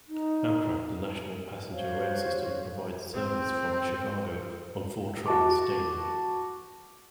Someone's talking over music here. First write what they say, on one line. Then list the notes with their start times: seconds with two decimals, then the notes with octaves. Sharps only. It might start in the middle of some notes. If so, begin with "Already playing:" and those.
Amtrak, the national passenger rail system, provides service from Chicago on four trains daily.
0.08 D#4
1.71 F#4 C5 C#5 F5
3.14 C4
5.26 F#4 A5 D6